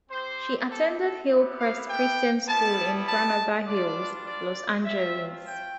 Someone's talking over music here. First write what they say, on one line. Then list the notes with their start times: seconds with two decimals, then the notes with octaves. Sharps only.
She attended Hillcrest Christian School in Granada Hills, Los Angeles.
0.10 C4 G4 C5
0.69 A4
0.99 A4
1.29 B3 E4 G4
1.59 F5
1.87 G5
2.47 G3 B3 E4 A5
3.07 A5
3.66 G3 D4 F4 D5
4.25 D5
4.84 A3 C4 F4 E5
5.44 G5